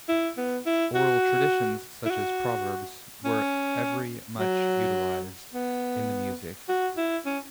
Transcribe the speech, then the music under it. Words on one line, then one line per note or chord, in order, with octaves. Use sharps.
Oral traditions such as proverbs were every much utilized in the music.
E4
B3
E4
F#4
E4
F#4
C#4
F#3
B3
F#4
E4
C#4